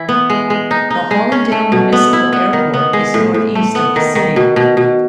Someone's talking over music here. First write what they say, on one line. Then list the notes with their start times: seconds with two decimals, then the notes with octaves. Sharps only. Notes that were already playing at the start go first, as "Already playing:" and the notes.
The Hollandale Municipal Airport is northeast of the city.
Already playing: E3 E4
0.09 B3
0.30 G#3
0.50 G#3
0.71 D#4
0.91 D#4
1.11 G#3
1.32 C#4
1.52 A3
1.72 B2
1.93 B3
2.13 E4
2.33 B3
2.53 D#3
2.74 B3
2.93 G#3
3.14 A2
3.34 A2
3.55 A3
3.75 B3
3.96 D#3
4.15 D#3
4.36 B2
4.56 B2
4.77 B2